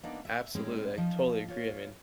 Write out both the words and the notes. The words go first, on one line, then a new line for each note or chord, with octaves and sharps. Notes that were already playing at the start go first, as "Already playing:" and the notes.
Absolutely, I totally agree, I mean,
A#3 B3 D4 D#4
E5
A2 G#3 C4 C#4 D#4 G#4
F3 D#4 F4
F4 C#5